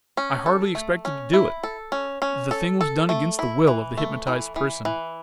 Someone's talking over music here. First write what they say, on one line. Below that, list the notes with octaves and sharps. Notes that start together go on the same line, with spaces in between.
I hardly expected to do it: the thing was done against the will of the hypnotised person.
C#4
A4
A3
C#4
E4
A4
C#4
C#4
A4
A4
A3
E4
E3
A3
E3
E3
E3